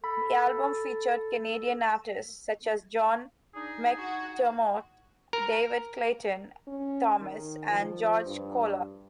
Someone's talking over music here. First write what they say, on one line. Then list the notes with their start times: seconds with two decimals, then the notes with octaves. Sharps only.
The album featured Canadian artists such as John McDermott, David Clayton-Thomas and George Koller.
0.04 A4 B5
3.55 D4 D#4 G#4
3.98 F#4
5.33 A#4
6.67 C#4
7.20 D#3
7.70 F3
8.26 G2